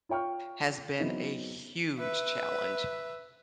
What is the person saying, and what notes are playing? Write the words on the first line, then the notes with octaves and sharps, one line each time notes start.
has been a huge challenge.
F4 C#5 G5 C#6 F6
F#3 B3 C4 D#4 E4
B4 E5